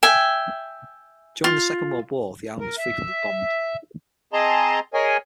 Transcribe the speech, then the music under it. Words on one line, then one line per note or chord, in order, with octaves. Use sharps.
During the Second World War the island was frequently bombed.
E5 G5 G#5
F4
A#4
E5
C4 G#4 D#5 A5 A#5 C6
G#4 A#4 C#5 D#5 G#5